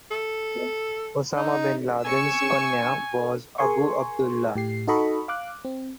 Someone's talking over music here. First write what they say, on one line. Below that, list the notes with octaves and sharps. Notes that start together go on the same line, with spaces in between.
Usamah bin Ladin's Kunya was "Abu Abdullah".
A4
D#4
G#5 C#6 E6
G#4 A#4 G#5 C6 C#6
A2 G4 C7
D#4 F#4 A4 D#5 B5 C#6
F5 D6 F#6
C4